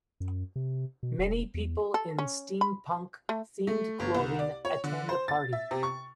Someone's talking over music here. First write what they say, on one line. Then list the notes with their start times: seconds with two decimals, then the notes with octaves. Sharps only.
Many people in steampunk themed clothing attend a party.
0.20 F#2
0.56 C3
1.03 B2
1.19 E1
1.54 E2
1.94 A4
2.18 C#4
2.61 B5
3.29 A3
3.67 A3
4.00 G1
4.15 C2
4.39 D5
4.65 C#5
4.84 D3
5.09 C5
5.28 A6
5.53 E5
5.71 C3
5.83 C#6